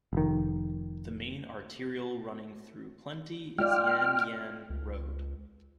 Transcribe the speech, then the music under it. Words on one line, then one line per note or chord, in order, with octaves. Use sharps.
The main arterial running through Plenty is Yan Yean Road.
F1 D#3
G#3 F4 D5 G5 F6
C#2